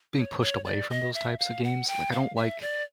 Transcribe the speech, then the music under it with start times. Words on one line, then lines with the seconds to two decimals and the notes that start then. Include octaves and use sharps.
being pushed away from those types of games, like, I don't like
0.17 C#5
0.41 C#5
0.65 D5
0.90 D#5
1.14 E5
1.39 F5
1.64 F#5
1.88 G5
2.12 F5
2.36 E5
2.61 D5